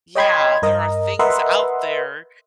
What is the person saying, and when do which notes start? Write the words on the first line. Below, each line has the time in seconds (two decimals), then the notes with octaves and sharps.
yeah, there are things out there
0.15 C#5 D#5 G5 B5 C6 G#6
0.62 G2 A#4 D#5
1.19 A#4 B4 D#5 E5 F#5 C6